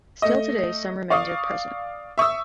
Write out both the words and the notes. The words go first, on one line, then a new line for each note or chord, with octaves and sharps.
Still today some remains are present.
A3 D#5
D5 F5 C#6 D#6
E5 C#6 D#6 E6